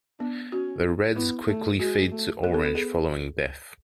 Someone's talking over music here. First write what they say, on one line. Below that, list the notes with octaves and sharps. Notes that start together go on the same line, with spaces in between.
The reds quickly fade to orange following death.
B3 D4
C#4 F#4
B3 E4
A3
G#3 F#4
A3
B3 A4
A4
A4
G#4